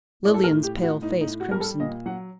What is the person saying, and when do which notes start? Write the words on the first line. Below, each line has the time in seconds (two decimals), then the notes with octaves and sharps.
Lilian's pale face crimsoned.
0.24 A2 D5
0.34 A4
0.44 A#4
0.50 A2
0.63 G4
0.76 A2
0.83 F#4
1.02 A2 D#4
1.21 D#4
1.28 A2
1.40 F#4
1.51 G3 A#4
1.60 A4
1.80 A#2 D#5
2.06 F#3 F#5